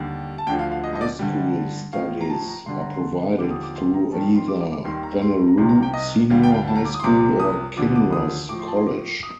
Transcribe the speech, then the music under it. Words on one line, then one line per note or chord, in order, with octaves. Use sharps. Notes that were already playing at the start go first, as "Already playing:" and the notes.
High School studies are provided through either Wanneroo Senior High School or Kinross College.
Already playing: D#2 D3 G3
A5
D2 D3 F3 G5
F5
F5
D#5
D#5
D5
G2 D3 G3
A2 F3 F5
A#5
A5
A#5
G2 D3 G3 C6
A#5
C6
D#2 D3 F3 D6
D#6
D6
C6
A#5
F2 D#3 G3 A5
C6
D6
D6
D6
D#2 D#3 G3 C6
A#5
C6
A#5
C2 C3 D#3 C6
A#5
G5
D#5
D2 D3 G3 F5
G5
F5
G5
A5
A#5
D6
D#6
C6
C2 C3 F3 D6
D#6
D2 D3 F3 D6
D6
D#6
A2 F3 D6
C6
A5
C6
D6
D#6